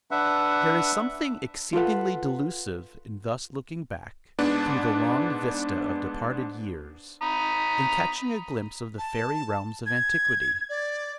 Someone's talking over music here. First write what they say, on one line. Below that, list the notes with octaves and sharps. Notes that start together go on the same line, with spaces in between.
There is something exceedingly delusive in thus looking back, through the long vista of departed years, and catching a glimpse of the fairy realms of antiquity.
D4 B4 E5 F#5
F4 A4 B4 F#5
G#2 B3 D4
A#5 B5 D#6
A5
G#6
D5